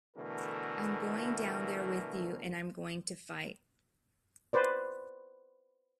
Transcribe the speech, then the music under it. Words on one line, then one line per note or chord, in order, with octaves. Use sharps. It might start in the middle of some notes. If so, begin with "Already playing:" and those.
I'm going down there with you, and I'm going to fight.
B2 D3 E3 A3 A#4
B4 C5 D5